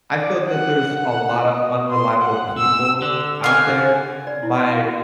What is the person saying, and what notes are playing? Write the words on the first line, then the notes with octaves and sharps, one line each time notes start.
I feel that there's a lot of unreliable people out there. My
D5
F#5
F#5
D#5
C6
F#5
E6
D3
F5 F#5 G#5
D5
E4
C6
F5
F#4